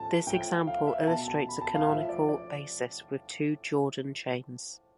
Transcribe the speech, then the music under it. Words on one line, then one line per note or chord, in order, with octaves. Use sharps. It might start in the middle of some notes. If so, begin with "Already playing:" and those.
This example illustrates a canonical basis with two Jordan chains.
Already playing: A2 F3 A5
A2 F3 G5
F5
E5
B2 A5
A5
B5
A5
F5
A2 F3 E5
D5
D5